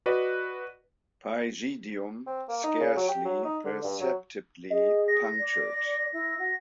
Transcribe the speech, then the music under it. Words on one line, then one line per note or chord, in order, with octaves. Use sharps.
Pygidium scarcely perceptibly punctured.
F#4 B4 D5 D#5
C4
A#3
D#4
C#3
F#3
G4
F#3
D#4
D3
G2
F#3
G#4 D#5
A#6
D5
E4
F#4